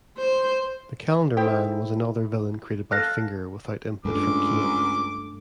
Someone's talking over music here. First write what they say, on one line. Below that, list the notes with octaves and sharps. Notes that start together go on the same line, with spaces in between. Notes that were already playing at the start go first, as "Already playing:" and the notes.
The Calendar Man was another villain created by Finger without input from Kane.
C5
E4 A4 C5 G5
A4 F5 F6 F#6 A#6
C#2 G2 G3 A3 A4 D6